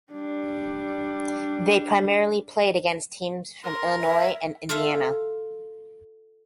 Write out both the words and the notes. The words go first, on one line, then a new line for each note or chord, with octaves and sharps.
They primarily played against teams from Illinois and Indiana.
G3 D4
A#4 C6
E5
F4 A4 E5 F5